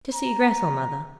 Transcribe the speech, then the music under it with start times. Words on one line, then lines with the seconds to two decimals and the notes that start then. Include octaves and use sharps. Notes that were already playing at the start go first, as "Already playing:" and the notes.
'To see Grettel, Mother.'
0.14 A#5